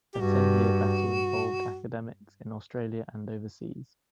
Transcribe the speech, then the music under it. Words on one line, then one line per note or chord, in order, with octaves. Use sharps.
A ten-year battle involved academics in Australia and overseas.
G4
G2 F#4